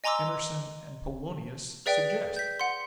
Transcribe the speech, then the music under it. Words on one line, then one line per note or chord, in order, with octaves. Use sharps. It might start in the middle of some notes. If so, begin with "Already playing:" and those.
Emerson and Polonius suggest.
D#5 G#5 A#5 C6 D6 E6
G#4 B4 D5 E5 G5
G6 B6
F#5 C6